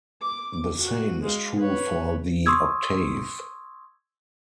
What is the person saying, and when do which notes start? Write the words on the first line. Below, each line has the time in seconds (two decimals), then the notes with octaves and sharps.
The same is true for the octave.
0.21 D6
0.78 F#4
1.22 G#3 F5
1.59 B4 C#5
2.46 C6 C#6 D#6 E6 G#6